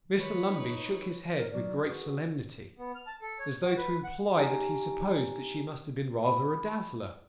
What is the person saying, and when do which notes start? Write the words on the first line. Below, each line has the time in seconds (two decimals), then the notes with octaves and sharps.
Mr Lumbey shook his head with great solemnity, as though to imply that he supposed she must have been rather a dazzler.
0.17 D#3 B4 C#5
0.49 D#4
1.37 A#4
1.52 D#3 F#3 B3 D5
1.83 F#4 G#4 A4 B4
2.78 B3
2.95 F6
3.07 A5
3.22 A4
3.39 C#5
3.63 F#4
3.77 B4
4.04 F#5
4.36 D#4 G4 G#5 A#5
6.24 B5